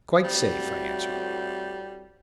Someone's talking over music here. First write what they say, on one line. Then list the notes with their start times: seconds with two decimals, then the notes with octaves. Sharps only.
"Quite safe," I answered.
0.24 A2 G3 C4 F#4